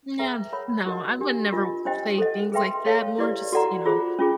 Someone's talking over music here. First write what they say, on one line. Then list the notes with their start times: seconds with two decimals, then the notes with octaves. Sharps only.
no no, I would never play things, like, that, more just, you know,
0.19 G#4 B4 E5 G5 A#5
0.53 A#4 C#5 F#5 B5
0.86 D#4 F#4 A#4 D#5 F#5
1.19 D4 G4 A#4
1.52 D4 F4 A#4 D#5
1.85 D4 G4 C5 D#5 G5
2.18 A4 C5 D#5 F#5
2.52 G#4 B4 E5 G5 C6
2.86 A4 C#5 F5
3.19 E4 G4 B4 D5
3.52 F#4 A4 D5 F#5 A#5
3.85 F4 G#4 C5
4.19 C#4 F4 G#4